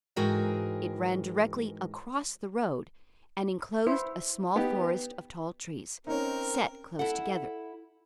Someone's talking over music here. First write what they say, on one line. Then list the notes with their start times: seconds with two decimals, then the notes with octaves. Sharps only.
It ran directly across the road and enclosed a small forest of tall trees, set close together.
0.16 G#2 E3 F#4 G#4 A#4 G5
3.87 E4 C5
4.56 B3 D#4 G4
6.07 C4 C#4 D#4 A#4
6.99 E4 A4 F#5